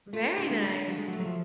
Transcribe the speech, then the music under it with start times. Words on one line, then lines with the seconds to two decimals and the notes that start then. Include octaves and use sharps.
Very nice.
0.13 A3 F4
0.38 D3
0.51 G#3
0.63 D3
0.88 F#3 F4
0.98 G#3
1.08 F#3
1.13 A3
1.20 F#3
1.25 F3